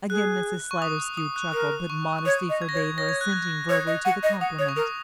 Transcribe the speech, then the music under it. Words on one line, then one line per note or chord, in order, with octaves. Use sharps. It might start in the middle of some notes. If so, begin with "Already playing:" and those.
Again Mrs Sliderskew chuckled, but modesty forbade her assenting verbally to the compliment.
G#4 F#6
C#6
D#6
D#6
F#6
A#4 D#6
C#6
C#6
C#5 D#6
D#5
G#6
A#6
C#5
G#6
C#5 A#6
G#6
F#6
G#6
C#5 D#6
D#5
F#5 C#6
D#5
F#5 D#6
C#5 D#6
C#6
A#4 D#6